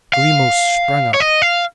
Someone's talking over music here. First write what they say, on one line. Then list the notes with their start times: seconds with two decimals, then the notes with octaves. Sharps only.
Grimaud sprang up.
0.13 F5
1.14 C#5
1.20 D#5
1.42 F5